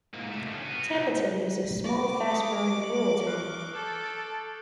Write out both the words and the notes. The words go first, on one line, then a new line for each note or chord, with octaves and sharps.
Templeton, is a small, fast growing, rural town.
G#2 A#3
C3 A3
G2 C#3
B3 F#4
C2
C#6 D6 A#6
D#6 C#7
C#7 F#7
F6 F#6 C7
A4 D6 F6 G6
D7